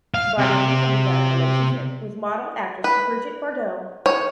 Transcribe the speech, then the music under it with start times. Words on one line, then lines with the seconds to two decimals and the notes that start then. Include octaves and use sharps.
Vadim had begun a relationship with model-actress Brigitte Bardot.
0.14 F5
0.39 C3
2.84 B4
4.06 C#5